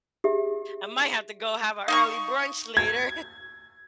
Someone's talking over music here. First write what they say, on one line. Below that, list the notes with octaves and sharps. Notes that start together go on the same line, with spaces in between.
I might have to go have an early brunch later.
G4 G#4 E5
D#4 F5 C6 C#6
G#6